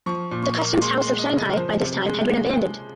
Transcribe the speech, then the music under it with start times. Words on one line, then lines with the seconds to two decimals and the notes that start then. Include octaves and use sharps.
The Customs House of Shanghai by this time had been abandoned.
0.06 F3 C#6
0.31 A#2
0.43 C#6
0.57 A#3
0.81 G#3 C6
1.00 C6
1.07 G#3
1.19 D#5
1.32 C#3
1.38 D#5
1.50 A#4
1.57 F3 C5
1.82 C3
2.07 G#3